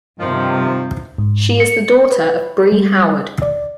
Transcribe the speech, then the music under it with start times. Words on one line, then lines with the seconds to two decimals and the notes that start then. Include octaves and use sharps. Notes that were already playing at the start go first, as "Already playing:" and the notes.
She is the daughter of Brie Howard.
0.18 G2 C3 D#3 F3
1.18 G#2
1.60 C#7
2.12 B4
2.72 G3
3.42 D5